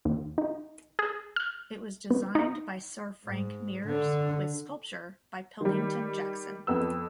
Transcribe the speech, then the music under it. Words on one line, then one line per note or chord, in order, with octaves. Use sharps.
It was designed by Sir Frank Mears with sculpture by Pilkington Jackson.
D#2
D#4
G#4
F6
B3
D#4
G#2
D3
D#3 G3
F2 B3 E6